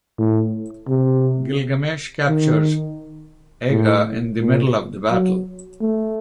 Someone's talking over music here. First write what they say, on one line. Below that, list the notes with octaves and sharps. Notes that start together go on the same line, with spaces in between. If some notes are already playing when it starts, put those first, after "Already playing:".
Gilgamesh captures Aga in the middle of the battle.
A2
C3
D#3
A2
A#2
F#3
A3